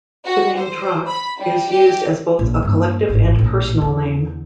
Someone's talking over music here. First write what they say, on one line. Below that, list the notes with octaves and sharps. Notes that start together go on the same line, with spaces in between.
The name "Drakh" is used as both a collective and personal name.
F#4
C5
B5
G3
G4
A#1
G2 A#3
G#1 A2
A#1 A2
E2 D3